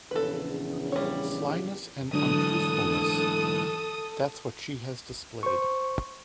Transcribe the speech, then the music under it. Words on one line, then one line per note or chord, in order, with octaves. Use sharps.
Slyness and untruthfulness — that’s what she has displayed.
A#1 E2 C#3 A4 B4
G3 C#5
G#2 D3 E3 F#3 D4 A4 D#6
C5 C#6